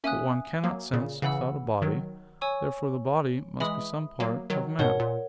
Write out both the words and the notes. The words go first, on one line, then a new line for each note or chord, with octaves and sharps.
But one cannot sense without a body: therefore the body must be some part of man.
A#3 C#4 E5 G#5 D#6 F#6
F#3 A#3
A#2 C#3
C#3 E3 F#5 B5 E6
D#3 F#3
C#5 G#5 C#6 E6
E3 G#3 E5 B5 D#6
F#3 A#3
D#3 F#3
G#2 B2 A#4 C#5 F#5
A#2